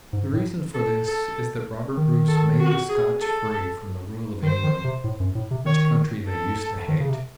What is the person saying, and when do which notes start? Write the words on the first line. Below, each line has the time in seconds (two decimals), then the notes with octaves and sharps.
The reason for this is that Robert Bruce made the Scots free from the rule of England, which country they used to hate.
0.13 G#2
0.33 A2
0.74 A4
1.05 A4
1.97 D#3
2.28 A4
2.59 F#4
2.89 G#4
3.20 A4
4.43 D#3 C5
4.64 D#3
4.84 C3
5.04 A2
5.20 F#2
5.35 A2
5.51 C3
5.65 D#3 C#5
6.28 A4
6.88 D#3
7.00 C#3
7.09 C3